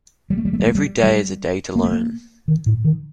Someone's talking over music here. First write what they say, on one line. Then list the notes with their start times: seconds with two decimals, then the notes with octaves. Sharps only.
Every day is a day to learn.
0.30 G3
0.38 A3
0.45 G3
0.53 A3
0.60 G3
0.67 A3
0.75 G3
1.03 G3
1.76 A#3
1.83 A3
1.92 A#3
2.48 D#3
2.66 A2
2.84 D#3